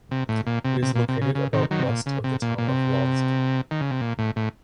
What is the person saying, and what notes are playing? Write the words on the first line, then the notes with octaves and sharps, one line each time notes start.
It is located about west of the town of Launceston.
C3
A2
A#2
C3
C3
A#2
C3
C#3
C#3
C3 D#3
D#3 F#3
C3
A#2
C#3
C3
A#2
A#2
C3
D#3
C#3
C3
A#2
A2
A2